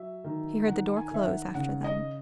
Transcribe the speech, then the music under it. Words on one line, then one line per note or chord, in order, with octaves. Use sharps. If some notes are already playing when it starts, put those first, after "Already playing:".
He heard the door close after them.
Already playing: F#3 E5
D#3
D#3 F#5
G#5
D#3 E5
F#5
C#3 F#5
D#5